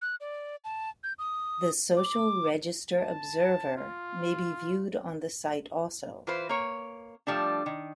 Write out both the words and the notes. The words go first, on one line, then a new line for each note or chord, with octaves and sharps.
The "Social Register Observer" may be viewed on the site also.
F#6
D5
A5
G6
D#6
D6
A5
F4
E3 F4 B4 C5
A#3 C#5
F3 G3 A3 D4
D#3